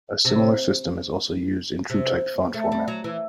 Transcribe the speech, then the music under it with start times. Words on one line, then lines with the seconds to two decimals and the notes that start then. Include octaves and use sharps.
A similar system is also used in TrueType font format.
0.25 C3
1.90 C3
2.54 A3
2.72 G3
2.88 F#3
3.04 E3